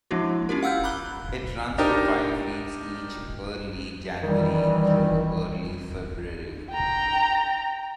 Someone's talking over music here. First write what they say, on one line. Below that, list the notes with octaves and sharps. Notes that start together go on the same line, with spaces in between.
It runs for five weeks each early January through early February.
F3 G#3 A#3 D4 E4 F#4
C#4 E4 F4 G4 A#4
F5 F#5 E6 F6 G6
A#5 B5 D6 F#6 G7
D4 D#4 G4 A#4
D#3 E3 G3
G5 A#5